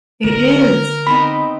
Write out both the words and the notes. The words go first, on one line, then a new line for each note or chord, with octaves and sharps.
It is.
D3 A#4
B3 C4 D#4 B5